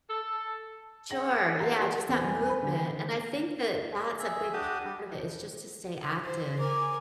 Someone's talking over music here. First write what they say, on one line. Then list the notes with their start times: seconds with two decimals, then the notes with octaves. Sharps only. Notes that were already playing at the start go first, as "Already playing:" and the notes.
Sure. Yeah, just that movement, and I think that that's a big part of it is just to stay active,
0.10 A4
1.10 G#4 C#5 F#5 G5 A#6 F#7
1.60 F#5 A5 A#5 C6 C7
1.79 F#4 G4
2.09 E2 C4 B4 C5 G#5 B5
2.49 B5
2.63 D3
4.19 G#4 E5
4.53 D4 F#4 G4 D#6
6.25 C5
6.59 A#4 G#5 D6